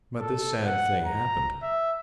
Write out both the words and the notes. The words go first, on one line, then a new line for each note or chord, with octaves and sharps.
But this sad thing happened.
A4
F#5
A#5
E5